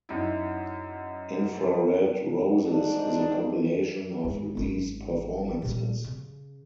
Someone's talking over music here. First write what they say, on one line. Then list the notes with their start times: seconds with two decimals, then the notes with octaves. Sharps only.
"Infrared Roses" is a compilation of these performances.
0.09 F#2 D#4 E4
2.63 G#2 D4 D#4
4.24 G#2
4.57 G#1
5.62 A#2 G3
6.04 C#3